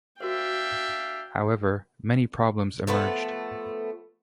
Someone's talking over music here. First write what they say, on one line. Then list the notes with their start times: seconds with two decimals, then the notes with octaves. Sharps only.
However, many problems emerged.
0.20 D4 F#4 A#4 C5 E5 F5 G5
2.87 F3 A3 B3 B4